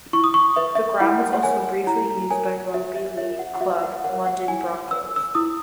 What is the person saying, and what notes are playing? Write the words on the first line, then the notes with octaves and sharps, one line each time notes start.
The ground was also briefly used by rugby league club London Broncos.
E4 C#6
D#6
C#6
B4 E5
E5
E4 F#5
F#5
A#4 C#5 G#5
E4 A#5
A#4 C#5 G#5
F#4 E5
E5
A#4 C#5 E5
F#5
F#5
F#4 E5
F#5
A#4 C#5 F#5
F#5
E4 G#5
B4 E6
E6
E4 D#6